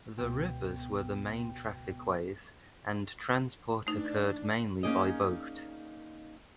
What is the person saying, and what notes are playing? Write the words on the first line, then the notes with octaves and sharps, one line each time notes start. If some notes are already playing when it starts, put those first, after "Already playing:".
The rivers were the main traffic ways and transport occurred mainly by boat.
C#2 B2 B3 G5
E3 A3 D4 D#4
A#3 C#4 D#4 G#4 D5 D#5